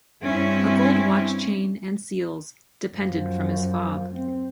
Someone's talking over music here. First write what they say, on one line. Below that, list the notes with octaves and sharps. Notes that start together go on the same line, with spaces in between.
A gold watch-chain, and seals, depended from his fob.
G2 C4 C#4 E4
F#2 F3
C4